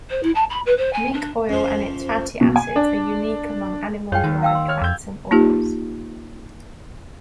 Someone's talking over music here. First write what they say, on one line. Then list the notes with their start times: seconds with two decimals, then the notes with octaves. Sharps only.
Mink oil and its fatty acids are unique among animal-derived fats and oils.
0.10 C5
0.23 E4
0.34 A5
0.49 B5
0.66 B4
0.77 C5
0.93 G#5
1.13 D4
1.49 F2 F3 C#4
2.41 B2
2.56 G#5
2.76 D4
4.12 F#2 F4 G#4 C#5 F5 G5
4.24 D#2 D#3
4.42 F5 G5 E6
4.55 C6
4.68 C#5 F6
4.82 F2 E6 G6 G#6
5.31 A#3 D#4 F4 G4